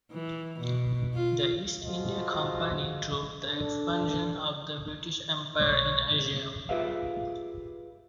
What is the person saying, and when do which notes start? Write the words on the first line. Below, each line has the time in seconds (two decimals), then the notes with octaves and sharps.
The East India Company drove the expansion of the British Empire in Asia.
0.12 E3
0.60 B2
1.14 F4
1.84 F4 F#4 G#4 A4 C5 D#5
3.46 D4 A4
5.59 B1 G#3 C#5
6.69 F4 G4 G#4 B4 E5 F5